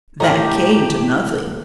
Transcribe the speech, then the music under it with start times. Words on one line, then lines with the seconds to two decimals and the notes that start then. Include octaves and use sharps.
That came to nothing!
0.20 A2 G4 A#4 D#5 A#5